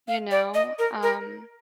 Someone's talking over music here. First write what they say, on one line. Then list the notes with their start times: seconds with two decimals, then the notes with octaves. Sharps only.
You know? Um
0.08 F5
0.31 D5
0.55 D#5
0.79 A#4
1.03 A#4